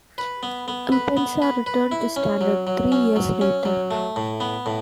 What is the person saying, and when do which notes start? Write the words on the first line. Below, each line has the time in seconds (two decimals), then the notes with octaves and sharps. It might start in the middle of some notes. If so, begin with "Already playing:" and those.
Mpenza returned to Standard three years later.
0.18 B4
0.43 B3
0.68 B3
0.92 B4
1.17 B3
1.42 B4
1.66 B4
1.92 E4
2.16 C#4
2.41 F#3
2.67 F#3
2.92 C#4
3.16 F#3
3.41 C#4
3.65 F#3
3.91 A3
4.16 A2
4.40 B3
4.66 A2